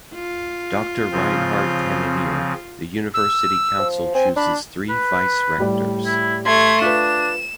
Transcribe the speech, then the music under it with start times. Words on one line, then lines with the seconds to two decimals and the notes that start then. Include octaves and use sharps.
Doctor Reinhard Kannonier, the University Council chooses three Vice-Rectors.
0.14 F4
1.12 C#3 F3 C4
3.14 E6
3.79 F3
4.15 C4 G#5
4.36 D4 B5
4.89 B4
5.58 A2 G3 D5
6.06 E4
6.46 A3 C6 G#6
6.82 D4 F4 B4 E7